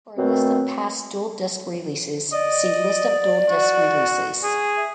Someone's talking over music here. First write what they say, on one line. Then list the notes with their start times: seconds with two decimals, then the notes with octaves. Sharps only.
For a list of past DualDisc releases, see "List of DualDisc releases".
0.17 F#2 B2 A3 C4
2.32 D5 D#5
3.50 F#4
4.43 G#4
4.77 E5